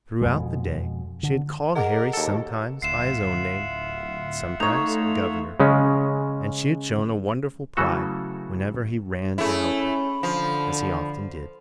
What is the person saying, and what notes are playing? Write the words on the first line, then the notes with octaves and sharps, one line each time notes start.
Throughout the day she had called Harry sometimes by his own name and sometimes "governor," and she had shown a wonderful pride whenever he ran to help her, as he often did.
F2 B2 G#3
D3
G#4 A#4 D#5 F#5 D6
D#2 A4
D1 F4 E5 F#5 C7 E7
A3 D#4 C#5 F7
C#3 G#3 C#4
C#3 E3 F#3 A3 F#4 A4
A3 C#4 E4 G#4
B5
D3 F3